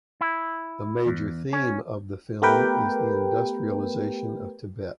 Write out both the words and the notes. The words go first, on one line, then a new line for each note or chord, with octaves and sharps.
A major theme of the film is the industrialization of Tibet.
E4
E2
C#4
A3 B3 G4 A#4 B4 G5